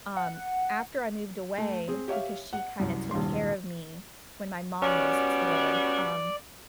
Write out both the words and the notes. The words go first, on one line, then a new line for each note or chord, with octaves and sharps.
um, after I moved away because she kinda took care of me when my mom was s away, um
F#5
A3
C4 G#4
G4 C#5 E5 F5
F#5
C2 F#2
D#1 C2 G2 C6
G3 B3 C#4 F#4 D5